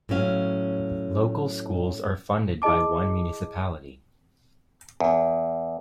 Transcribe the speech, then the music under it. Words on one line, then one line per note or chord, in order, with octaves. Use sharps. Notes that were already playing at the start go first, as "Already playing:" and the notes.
Local schools are funded by one municipality.
A2 F#3 C#4 F5
E4 G#4 D#5 A5 D6
E2